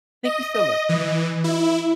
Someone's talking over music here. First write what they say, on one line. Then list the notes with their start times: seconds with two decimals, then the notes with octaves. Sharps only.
Thank you so much.
0.25 D#5
0.54 D#5
0.89 E3
1.44 E4